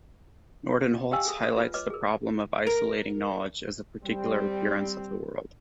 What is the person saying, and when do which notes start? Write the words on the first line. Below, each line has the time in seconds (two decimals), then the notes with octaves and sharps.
Nordenholz highlights the problem of isolating knowledge as a particular appearance of the world.
1.11 G4 D#5 F5 G5 G#5 E6
1.25 G#4 A4
1.44 A4
1.57 F4 B4
1.74 B4 C#5 D#5 D6
1.90 G#4 A#4
2.67 A#4
4.03 G3 C4